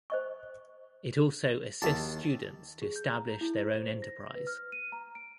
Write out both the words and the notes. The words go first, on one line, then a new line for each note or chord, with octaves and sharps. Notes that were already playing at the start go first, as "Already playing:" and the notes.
It also assists students to establish their own enterprise.
C5 D#5 C#6
D#2 E4 F#4 G#4 A5
G#4
G6
A#5
E4
C5
A#6
B4
F6
D#7
A#5
D7